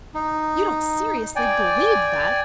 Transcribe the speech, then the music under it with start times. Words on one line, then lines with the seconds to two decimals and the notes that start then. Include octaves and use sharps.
"You don't seriously believe that?"
0.14 D#4
1.36 D5 G5 G#5